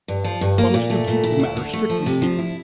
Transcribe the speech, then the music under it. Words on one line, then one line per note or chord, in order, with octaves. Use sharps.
Promise to keep the matter strictly secret.
G2
F3
G2
A#3
A#2
A3
A#2
E4
D2
D3
A3
F3
C3
F3
E4